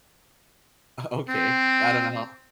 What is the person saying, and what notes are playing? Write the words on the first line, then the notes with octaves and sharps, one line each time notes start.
Okay. I don't know.
C4